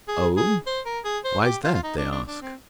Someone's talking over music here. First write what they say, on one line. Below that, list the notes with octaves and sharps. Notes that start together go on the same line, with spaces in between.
"Oh! why's that?" they ask.
G#4
G#4
C5
A#4
G#4
C5
G4
F4
F4
D#4
D4
D4
D4
C4